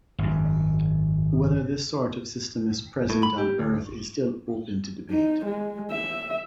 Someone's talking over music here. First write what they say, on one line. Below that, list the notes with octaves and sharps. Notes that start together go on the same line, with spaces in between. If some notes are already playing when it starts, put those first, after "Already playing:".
Whether this sort of system is present on Earth is still open to debate.
G#1 F#2
A2
B5
G4
D2
D#4
G#3
E5